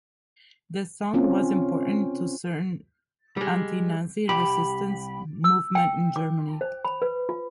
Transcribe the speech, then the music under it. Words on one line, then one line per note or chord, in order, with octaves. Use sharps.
The song was important to certain anti-Nazi resistance movements in Germany.
C4 C#4 F4
G3 G#3
C2 G4 B5
E6
G5
D6
C5
B5
B4
F4